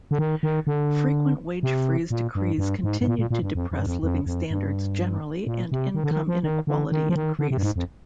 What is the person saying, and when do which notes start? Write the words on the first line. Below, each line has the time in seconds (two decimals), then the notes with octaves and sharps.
Frequent wage freeze decrees continued to depress living standards generally and income inequality increased.
0.11 D3
0.19 D#3
0.43 D#3
0.67 D3
1.63 C3
2.11 A#2
2.35 G2
2.58 G2
2.83 G#2
3.01 G#2
3.07 A#2
3.19 A#2
3.31 A#2
3.42 G2
3.55 F2
3.72 F2
3.80 G2
3.86 F2
4.03 F2
4.26 F2
4.51 G2
5.47 A#2
5.72 C3
5.95 D#3
6.04 D3
6.11 D#3
6.28 F3
6.44 D#3
6.67 D3
6.92 D#3
7.09 F3
7.15 D#3
7.39 D3
7.51 C3
7.57 G2
7.63 G#2
7.76 F2